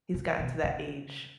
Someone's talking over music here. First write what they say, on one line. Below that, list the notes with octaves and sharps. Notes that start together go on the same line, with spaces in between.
He's gotten to that age.
C#3
B2
C#3